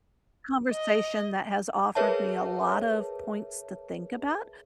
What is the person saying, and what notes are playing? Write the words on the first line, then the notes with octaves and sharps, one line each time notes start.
conversation that has offered me a lot of points to think about.
D#5
G#4 A#4 B4 C#5 E5 A5